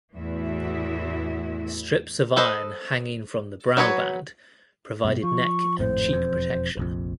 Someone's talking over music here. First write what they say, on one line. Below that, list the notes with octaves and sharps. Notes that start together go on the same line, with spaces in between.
Strips of iron hanging from the brow band provided neck and cheek protection.
E2 A2 E3 E4 F#4 E5
A4 B4 C5 D#5
F#3 F#4 B4 C#5
G2 B2
F3 C#6
G#1 F2 A2 C5
E1 F2
F1 A#1 F2